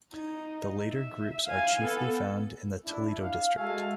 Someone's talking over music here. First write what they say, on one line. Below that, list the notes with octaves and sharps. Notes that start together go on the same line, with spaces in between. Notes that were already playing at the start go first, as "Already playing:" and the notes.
The later groups are chiefly found in the Toledo District.
D#4
E5
F5 G#5
B3 A4
D4 E4
F5
G#3 F#4 A4 E5 F5 G#5